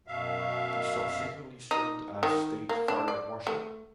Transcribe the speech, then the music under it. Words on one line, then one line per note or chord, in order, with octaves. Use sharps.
He subsequently served as state fire marshal.
F#2 B2 E5 F5
D#4
D#3
A#3
D4
D5
A3